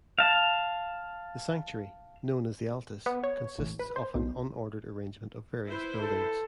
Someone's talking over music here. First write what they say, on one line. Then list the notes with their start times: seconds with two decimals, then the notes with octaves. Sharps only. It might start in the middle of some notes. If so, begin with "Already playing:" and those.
The sanctuary, known as the Altis, consists of an unordered arrangement of various buildings.
0.19 F5 A5
3.06 B3
3.23 C#5
3.59 A1
3.79 B4
3.96 C5
4.15 B1
5.69 E4 B4 C5
6.00 A4